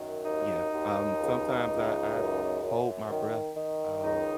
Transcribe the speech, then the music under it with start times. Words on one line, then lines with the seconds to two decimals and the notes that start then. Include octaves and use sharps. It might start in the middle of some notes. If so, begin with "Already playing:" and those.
Yeah, um, sometimes I I hold my breath, um,
Already playing: F#2 D#3
0.26 D#2 D#4
0.73 D#2
1.20 C#2
1.67 C#2
2.15 F#2
2.62 F#2
3.09 D#3
3.56 D#3
4.03 C#2 D#4